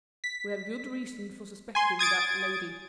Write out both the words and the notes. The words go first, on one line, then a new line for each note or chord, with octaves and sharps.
We have good reasons for suspecting that lady.
B6
G#5 C6
D#6 G#6 A6 D7